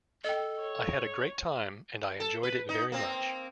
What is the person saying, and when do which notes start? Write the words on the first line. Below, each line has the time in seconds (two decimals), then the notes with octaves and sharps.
I had a great time and I enjoyed it very much.
0.24 A4 D#5 G5
0.61 C#5
2.20 A4
2.43 B4
2.69 D#4
2.92 A#3 C4